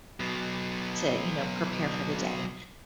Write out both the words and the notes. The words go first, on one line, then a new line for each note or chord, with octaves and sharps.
to, you know, prepare for the day,
F#3 B3